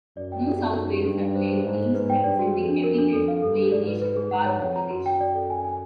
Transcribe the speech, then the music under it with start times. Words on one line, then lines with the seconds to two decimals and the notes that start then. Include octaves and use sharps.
New South Wales have played teams representing every test playing nation bar Bangladesh.
0.17 F#2 D5
0.32 G5
0.46 D5
0.62 D5
0.76 D#4
0.91 G4
1.06 G2 G4
1.21 F5
1.35 C5
1.50 C5
1.65 G#2 C5
1.80 C5
1.94 G#2 B4
2.10 G5
2.24 G2 D5
2.39 F#4
2.54 F2 F#4
2.69 D4
2.84 A#4
2.98 D4
3.13 F2 A4
3.28 F5
3.42 G2 A4
3.58 A4
3.72 G#2 D5
3.88 B4
4.02 B4
4.17 G#4
4.31 G#2 F#5
4.46 C#5
4.61 F2 C#5
4.76 A#5
4.90 F#2 F#4
5.06 G5
5.21 D5
5.35 A4
5.50 G#5
5.65 G#5